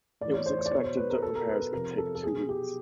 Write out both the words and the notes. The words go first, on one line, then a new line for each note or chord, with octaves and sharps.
It was expected that repairs could take two weeks.
A2 E3 D5
C#5
C5
C#5
D5
B2 C#5
C5
B4
A#4
B2 A4
A#4
B4
A#4
C3 F3 A#4
A4
A4
B2 G#4
G4